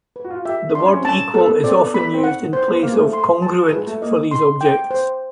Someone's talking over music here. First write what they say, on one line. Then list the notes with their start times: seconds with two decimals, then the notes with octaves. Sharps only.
The word "equal" is often used in place of "congruent" for these objects.
0.16 B4
0.24 F#4
0.31 F4
0.45 G4 E5
0.75 D4 C6
0.86 C#4
0.96 C4
1.05 C#4 A5
1.34 B3 A4
1.49 B3
1.64 C4 D5
1.79 B3
1.94 B3 B5
2.14 C4
2.24 F#5
2.53 C5
2.68 B3
2.83 A#3 F5
2.92 G#3
2.98 A3
3.13 C6
3.42 A5
3.72 G#3 B4
3.87 A3
4.02 A#3 D#5
4.31 C6
4.61 G5
4.91 C5